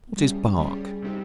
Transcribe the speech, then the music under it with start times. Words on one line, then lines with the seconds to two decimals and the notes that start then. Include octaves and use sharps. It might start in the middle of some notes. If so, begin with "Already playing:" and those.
What is Bark?
0.17 G3 C#4 G#4
0.59 G3 C#4 G#4
1.02 C3 G3 C4 D#4 G4